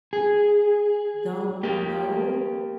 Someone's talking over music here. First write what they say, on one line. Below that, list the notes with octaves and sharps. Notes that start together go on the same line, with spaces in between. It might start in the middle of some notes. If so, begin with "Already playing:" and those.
don't know?
G#4
A#3 G4